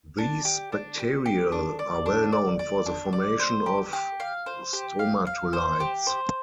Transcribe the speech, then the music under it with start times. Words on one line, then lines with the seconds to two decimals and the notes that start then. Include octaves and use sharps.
These bacterial are well known for the formation of stromatolites.
0.18 D4
0.45 G4
0.72 D4
0.99 G4
1.26 G4
1.52 D4
1.79 D5
2.06 D4
2.32 D5
2.59 D5
2.86 D4
3.13 D5
3.40 C5
3.66 G4
3.93 G4
4.20 F5
4.46 C5
4.73 G4
4.99 F5
5.27 F5
5.53 C5
5.80 G4
6.07 C5